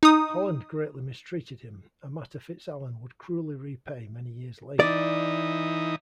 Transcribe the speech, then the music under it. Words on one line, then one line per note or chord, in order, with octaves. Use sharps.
Holland greatly mistreated him, a matter FitzAlan would cruelly repay many years later.
D#4 D#6
E3 D#4 D5